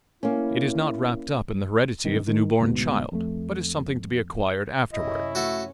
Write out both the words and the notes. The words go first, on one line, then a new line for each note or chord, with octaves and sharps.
It is not wrapped up in the heredity of the new-born child, but is something to be acquired afterward.
A#3 C#4 E4
G2 C3 D#3
D#3
D2 G#2 B2
F2 A3
F#2 C3 C#4 E4 D#5
A3 F#4 A4 E5